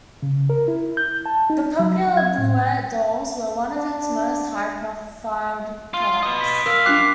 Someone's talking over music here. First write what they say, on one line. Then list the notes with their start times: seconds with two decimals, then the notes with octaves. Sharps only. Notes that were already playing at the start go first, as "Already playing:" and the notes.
The popular Bleuette dolls were one of its most high profiled products.
0.23 C#3
0.50 A#4
0.68 E4
0.97 G6
1.26 A5
1.50 D#4
1.79 F#3
2.17 G#6
2.38 A2
3.76 D4
5.94 F4 C6
6.23 B4 D#5
6.41 B6
6.66 F#2 A#4 F5 B6
6.86 D4 F4 G5 D6 F#6 C7